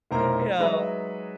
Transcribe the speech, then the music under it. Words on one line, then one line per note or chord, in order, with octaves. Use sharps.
you know,
F1 B1 E4 A#4 C5 A#5
F#3 G#3 D#4 B4 D5 E5